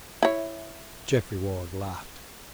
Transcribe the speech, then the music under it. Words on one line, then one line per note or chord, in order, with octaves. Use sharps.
Geoffrey Ward laughed.
E4 C#5